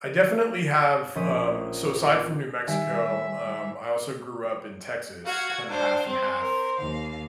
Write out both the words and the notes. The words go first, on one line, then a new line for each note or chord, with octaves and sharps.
I definitely have, um so aside from New Mexico, um, I also grew up in Texas kinda half and half.
A#1 C#4 E5 D#6
D#3 G3 E5 G#5
F#4 F5 F#5 G#6
D4 C5 F5
C4 C5
A#4
D#2 F5